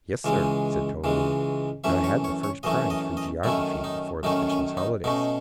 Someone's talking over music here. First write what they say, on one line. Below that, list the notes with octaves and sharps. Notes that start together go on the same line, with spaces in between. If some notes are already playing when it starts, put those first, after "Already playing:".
"Yes, sir," said Toline; "and I had the first prize for geography before the Christmas holidays."
C#2 C#3 E3 G#3
C#2 C#3 E3 G#3
F#2 E3 A3 C#4 E5
C#5
C#5
C#5
F#2 E3 A3 C#4 D#5
D#5
D#5
F#2 D#3 A3 C#4 E4
D#4
F#2 D#3 A3 C#4 D#4
C#4
D#4
B2 A3 C#4 D#4